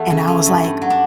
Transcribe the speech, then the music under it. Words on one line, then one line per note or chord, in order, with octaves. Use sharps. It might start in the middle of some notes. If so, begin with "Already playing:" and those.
And I was like,
Already playing: E2 A3
C#3
A3 C#4
G2
G2
F#3
D4